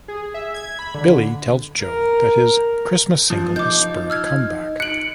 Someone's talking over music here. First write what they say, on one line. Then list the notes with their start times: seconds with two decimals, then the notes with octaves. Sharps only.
Billy tells Joe that his Christmas single has spurred a comeback.
0.08 G#4
0.34 E5
0.54 G#6
0.79 B5
0.95 D3
1.80 A#4
3.30 F3
3.56 D#4 D6 G6
4.10 E6 F6 G#6
4.80 F#6 C#7 D7 F#7